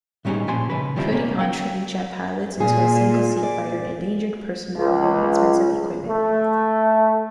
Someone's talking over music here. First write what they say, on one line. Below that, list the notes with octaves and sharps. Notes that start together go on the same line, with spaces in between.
Putting untrained jet pilots into a single-seat fighter endangered personnel and expensive equipment.
A2 G3 C#4 D#4 G#4
A#2 F3 G#5 C6
C#3 B4
D#3 F3 G3 C4 E4
B1 A#3 C#4
F5 G5
A#2 G#4
D5
C#2
A3